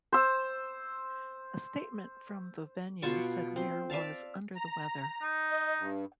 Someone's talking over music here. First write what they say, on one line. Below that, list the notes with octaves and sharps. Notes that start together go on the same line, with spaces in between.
"A statement from the venue said Weir was 'under the weather'".
C5 E6
B2 F4 A5 C#6
C4
D5 E5 F5 A5
A#5
D#4
D#5
G2